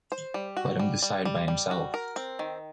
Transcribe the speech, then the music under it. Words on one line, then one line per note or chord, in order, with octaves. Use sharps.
Let him decide by himself.
C5
G3
F#4
G3
G3
G3
G3
F#4
A#4
C4
D#3